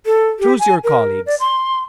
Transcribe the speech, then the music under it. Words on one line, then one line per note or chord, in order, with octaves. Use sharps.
"Choose your colleagues."
A4
G4
G#5
A#4
D5
C6